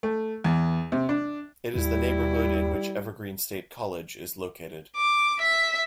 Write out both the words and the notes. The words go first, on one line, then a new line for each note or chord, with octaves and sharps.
It is the neighbourhood in which Evergreen State College is located.
A3
E2
C3
D4
D#2 G3 E4
D6
E5 B6